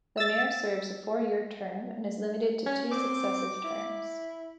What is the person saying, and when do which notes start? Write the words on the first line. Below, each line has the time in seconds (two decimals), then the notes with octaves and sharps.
The mayor serves a four-year term and is limited to two successive terms.
0.17 E6 A6
2.66 C#4
2.91 C4 D6
3.64 E4